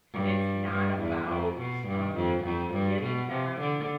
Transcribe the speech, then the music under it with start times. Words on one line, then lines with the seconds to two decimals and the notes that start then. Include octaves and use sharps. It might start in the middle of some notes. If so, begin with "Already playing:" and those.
it's not about, um, getting them,
0.14 G2
0.72 G2
1.00 E2
1.30 F2
1.59 B2
1.88 G2
2.16 F2
2.45 F2
2.74 G2
3.03 B2
3.32 C3
3.61 D3